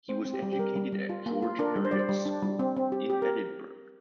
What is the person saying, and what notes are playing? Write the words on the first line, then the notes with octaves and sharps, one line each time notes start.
He was educated at George Heriot's School, in Edinburgh.
C4 C5
C4
G4
G3
G4
G3 A#4
G3
G3
F4
A#3
F4
D4 A#4
G3
C5
G3 D5
C5
G3
D4
G3
C4
C4
G4
G4
A#4